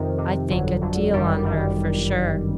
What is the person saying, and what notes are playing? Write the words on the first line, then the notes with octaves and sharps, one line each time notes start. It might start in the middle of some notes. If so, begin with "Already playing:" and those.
I think a deal on her, for sure.
Already playing: F2 C3 D#3
F2 C3 D#3
G1 F2 D3 F#3
G1 F2 D3 F#3
G1 F#2 D#3 G3
G1 F#2 D#3 G3